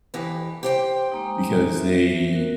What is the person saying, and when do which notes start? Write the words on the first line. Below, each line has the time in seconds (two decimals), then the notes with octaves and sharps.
because they
0.14 F2 E3 G4
0.63 G4 C5 G5
1.12 G#3 A#3 D#4
1.78 E5
2.33 F#4 A#4